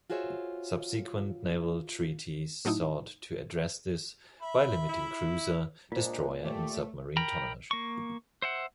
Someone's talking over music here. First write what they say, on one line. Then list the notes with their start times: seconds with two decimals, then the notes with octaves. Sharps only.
Subsequent naval treaties sought to address this, by limiting cruiser, destroyer and submarine tonnage.
0.10 F4 F#4 G#4 C5 C#5 E5
2.65 A2 F#3 A3 D#4 E4
4.42 E5 B5
4.89 E4
5.92 A#2 G#3 D4 D#4 F4 C5
6.44 A3 G4 D5
7.17 A#4 G5 A#5 B5
7.71 A#3 C#6
8.42 C5 E5 F#5